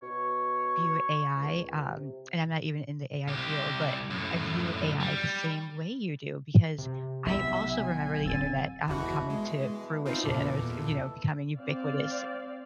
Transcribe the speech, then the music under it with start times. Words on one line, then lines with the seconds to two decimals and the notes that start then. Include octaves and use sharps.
view AI, um, and I'm not even in the AI field, but I view AI the same way you do because I also remember the internet, um, coming to fruition or, th you know, becoming ubiquitous,
0.02 B2 C#5
1.36 C#2
1.89 C3
3.28 C2 G4
4.10 F#2 A2
5.00 G3
6.79 C3
7.26 B1 E5
7.74 G#5
8.26 D1 C4 E6 A6 D#7
8.88 G1 E2 B2 E3 F#4
9.30 G#3
10.06 C4 D#4 F4
10.24 E2 A#2 A4 D6
11.59 C4 D5 F5